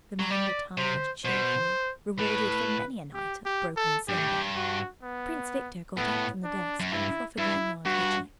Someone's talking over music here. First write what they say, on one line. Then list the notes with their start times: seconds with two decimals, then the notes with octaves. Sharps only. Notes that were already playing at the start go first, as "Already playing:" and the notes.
The man retired cheerfully, rewarded for many a night of broken slumber. Prince Victor got up from the desk and proffered Lanyard the cheque.
0.19 F#3
0.30 G3 D5
0.78 C3 C5
1.25 B2 C5
2.19 A2 B4
3.14 G4
3.45 G4
3.77 A4
4.08 G2 G4
4.17 A2
4.28 G2
4.56 F#4
5.03 B3
5.97 A2 B3
6.44 D4
6.80 F#2
6.92 G2 E4
7.38 G2 E4
7.85 G2 F#4